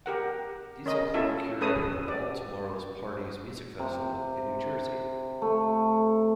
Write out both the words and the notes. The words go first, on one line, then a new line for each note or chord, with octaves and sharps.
These include curating an All Tomorrow's Parties music festival in New Jersey.
G4 A#4 F#5
C#4 A#4 D#5
C#4 E4 F4 A4 E5
C#4 A4 B4 D#6
D5
C3
A3